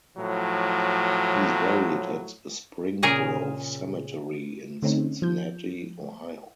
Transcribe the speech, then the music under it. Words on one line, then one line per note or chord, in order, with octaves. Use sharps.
He is buried at Spring Grove Cemetery in Cincinnati, Ohio.
A2 F3 F#3
A#2 C#3 G#4 A#4
D3 A3 C4 C#4 D#4
F3 G6